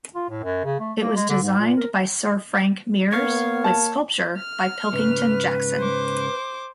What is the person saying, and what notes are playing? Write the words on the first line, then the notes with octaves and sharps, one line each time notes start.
It was designed by Sir Frank Mears with sculpture by Pilkington Jackson.
F4
A2
F#2
C#3
A3
A#3
G#3
D3
G#2
A#2
A#4
A#3 B3 C#5 F5
A5
F6
G#2 C#3 B4
C5 D6